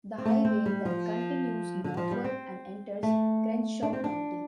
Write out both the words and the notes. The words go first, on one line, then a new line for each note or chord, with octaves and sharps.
The highway then continues northward and enters Crenshaw County.
C4
A3
C4
G3
F3
D3
F3
G3
C4
A3
D4
C4
D4